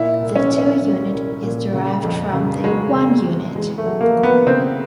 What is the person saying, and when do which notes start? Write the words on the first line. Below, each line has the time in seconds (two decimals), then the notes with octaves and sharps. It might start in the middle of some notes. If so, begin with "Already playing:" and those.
The 'two unit' is derived from the 'one unit'.
Already playing: A#2 E4
0.21 C2
0.36 C#4
0.51 C2
0.58 C#4
0.82 F#3
1.12 C2
1.42 A#2
1.73 C#3
2.03 F2
2.33 C#3
2.64 F#3 G#3
2.95 C#3
3.25 F#3
3.55 E2 G#3
3.78 A3
3.86 F#3
4.01 A#3
4.17 F#3
4.23 B3
4.46 C#3 C4